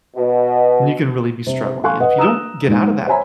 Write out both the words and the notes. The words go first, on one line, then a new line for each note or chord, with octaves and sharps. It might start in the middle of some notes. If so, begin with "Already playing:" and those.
and you can really be struggling and if you don't get out of that,
B2
C3
A4 F5 G#5 C6 C#6 F#6
B4 D#5 F#5
A#5 D#6 E6 E7
G#2
C5 C#5 E5 G#5 A#5 B5